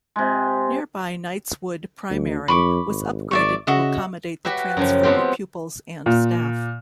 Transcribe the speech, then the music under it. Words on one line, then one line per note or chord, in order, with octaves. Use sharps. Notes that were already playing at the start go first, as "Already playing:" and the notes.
Nearby Knightswood Primary was upgraded to accommodate the transfer of pupils and staff.
C3 G#3
D2
F2 B5 C#6 D6
G#1
G#1 D5 E5 C#6
C#3 F#4 D#5 E5
F#4 G4 B4 E5
F#2 C#3 F3
F3 G#3 B3 C4 F4 G4
A#2